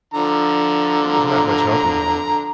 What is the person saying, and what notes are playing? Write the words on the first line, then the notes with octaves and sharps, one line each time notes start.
It was not much help he wanted.
D3 F3 A#5